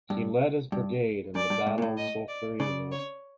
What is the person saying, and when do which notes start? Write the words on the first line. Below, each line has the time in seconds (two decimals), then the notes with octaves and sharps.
He led his brigade in the Battle of Solferino.
0.10 G2
0.72 G2
1.35 F#2 D5
1.50 G2
1.66 G#2
1.78 A#2
1.82 A2
1.97 D#5
2.29 D5
2.60 C#3 D5
2.92 C#5